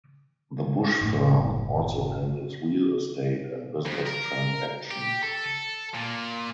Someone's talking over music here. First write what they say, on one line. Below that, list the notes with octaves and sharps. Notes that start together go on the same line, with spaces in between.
The Busch Firm also handles real estate and business transactions.
F#1 A2 A3
F2
A#4
G4
A4
A#2